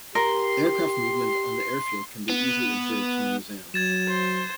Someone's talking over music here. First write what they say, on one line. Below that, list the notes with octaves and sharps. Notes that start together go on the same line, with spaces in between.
Aircraft movement on the airfield can be easily observed from the museum.
G4 A#4 C6
B3
F#3 G#6 A6 E7
C5